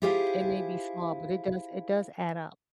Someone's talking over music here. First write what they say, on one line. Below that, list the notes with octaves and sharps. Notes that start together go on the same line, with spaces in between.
It may be small, but it does it does add up.
E4 F4 G4 G#4 C5 F5